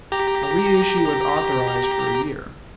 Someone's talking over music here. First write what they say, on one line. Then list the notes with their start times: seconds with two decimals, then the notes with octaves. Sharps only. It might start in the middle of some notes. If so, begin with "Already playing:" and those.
A reissue was authorized for a year.
0.12 G4 A#5